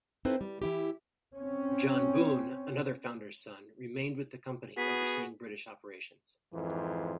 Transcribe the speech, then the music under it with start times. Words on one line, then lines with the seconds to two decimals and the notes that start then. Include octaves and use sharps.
John Boon, another founder's son, remained with the company, overseeing British operations.
0.25 C4 D#4 E4 A4 B4 C5
0.41 G3
0.62 E3 E4 G4
1.35 C4 C#4
4.77 B3 F#4 G#4 B6
6.53 F2 G#2 E3